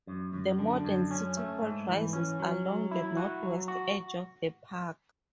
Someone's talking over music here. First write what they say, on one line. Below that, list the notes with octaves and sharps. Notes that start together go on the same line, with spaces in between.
The modern city hall rises along the northwest edge of the park.
F#2
F#2
D3
F#2
C#4
A3
G#2
E3
C#4
F#3
F#3
E4
F#4
F#3
F#4